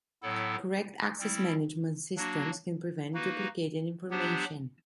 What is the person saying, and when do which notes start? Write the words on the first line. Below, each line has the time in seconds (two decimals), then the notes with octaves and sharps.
Correct access management systems can prevent duplicated information.
0.22 A2 F#3 B3 E4 A4
1.19 G3 C4 E4
2.16 F#3 A#3 D4 F#4
3.14 A#3 D#4 F#4 B4
4.10 F#3 B3 D4 G4 C5